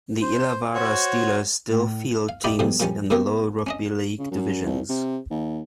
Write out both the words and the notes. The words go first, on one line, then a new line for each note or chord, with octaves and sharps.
The Illawarra Steelers still field teams in the lower rugby league divisions.
C5
F#4 C5 C#5
A2
F5
D#4 E4 G4 D5 F5 B5
G#2 B2 D3 F3 G3
A#2 F3 G3 C#4
C3 A#3 B3 G4 A#4
C#4 D4 D#5
C#3
F#2
C2
C3
D#2